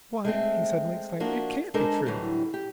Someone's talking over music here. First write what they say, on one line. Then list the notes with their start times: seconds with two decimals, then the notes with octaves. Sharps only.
Why!" he suddenly exclaimed, "it can't be true.
0.25 G#3 A3 C4
1.20 F3 A#3 D4 F#4
1.74 G#3 D4 D#4 A4 A#4 C5
2.06 A2 D3 E3 F#3 G3
2.54 G4